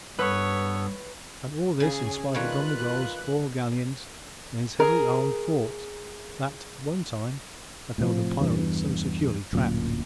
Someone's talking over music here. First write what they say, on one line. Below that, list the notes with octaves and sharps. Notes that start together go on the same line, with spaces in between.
And all this in spite of Don Miguel's four galleons and his heavily armed fort that at one time had held the pirates so securely trapped.
G2 B3 A4 B4 C#5
C#3 C#4 G#4 G#5
D#3 G3 F4 B4 C#5 F#6
G#4 A#4
A2 C3 E3 F3
E2 G2 E3
D1 F#2 A#2